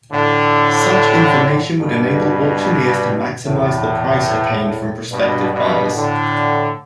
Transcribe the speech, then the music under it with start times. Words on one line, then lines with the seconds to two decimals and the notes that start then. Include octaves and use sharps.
Such information would enable auctioneers to maximise the price attained from prospective buyers.
0.12 A2 D3
1.78 G2 B2
3.45 E2 A2
5.10 G2 B2
5.52 G2 B2
5.94 A2 D3